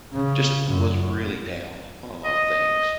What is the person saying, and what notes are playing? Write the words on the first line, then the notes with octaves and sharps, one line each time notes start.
just was really down on a lot of things.
C#3
F#2
D#5